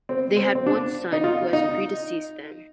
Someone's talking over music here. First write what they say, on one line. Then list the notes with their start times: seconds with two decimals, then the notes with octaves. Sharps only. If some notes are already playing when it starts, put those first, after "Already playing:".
They had one son, who has predeceased them.
0.09 C4
0.37 C4
0.55 C4
0.66 D4
1.12 D#4
1.24 F4
1.53 D#4